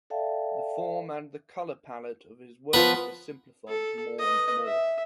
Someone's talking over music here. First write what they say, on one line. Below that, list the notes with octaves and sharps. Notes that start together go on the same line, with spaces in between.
The form and the color palette of his works were simplified more and more.
A4 D5 E5 F5 G5 A5
F3 B3 A#4 B4
A4
B4 D#5
E5